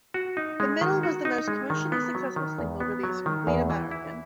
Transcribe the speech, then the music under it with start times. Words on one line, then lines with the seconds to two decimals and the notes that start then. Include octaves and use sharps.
"The Middle" was the most commercially successful single released from "Bleed American".
0.14 F#4
0.37 D#4
0.60 G#3
0.81 D#3
1.03 F#4
1.25 D#4
1.48 G#3
1.70 D#3
1.92 B3
2.15 F#3
2.36 D#3
2.59 E2
2.80 B3
3.03 F#3
3.26 D#3
3.47 E2
3.70 E3
3.91 E4